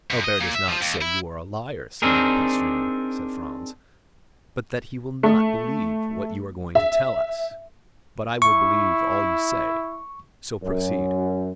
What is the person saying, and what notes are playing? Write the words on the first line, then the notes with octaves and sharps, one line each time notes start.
"Albert does not say you are a liar, Signor Pastrini," said Franz, "but that he will not believe what you are going to tell us,--but I will believe all you say; so proceed."
F#2
D#5
A#2
E5
F3
D#2
E4
C4 D4 D#4 G#4 A#4
A3
E5
E4 C#6
F#2